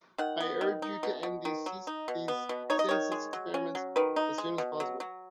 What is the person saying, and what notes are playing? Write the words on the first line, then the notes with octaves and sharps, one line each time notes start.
I urge you to end these senseless experiments as soon as possible.
D#3 F#5
B3
D#3
D#4
B2
B2
D#3
F#3
D#4
B2
B3
B2
D#4 C#5
D#5
D#3 C#5
G#3
F#3
C#4
F#3
D#3 B4
D#4
G#3
B2
F#3
F#3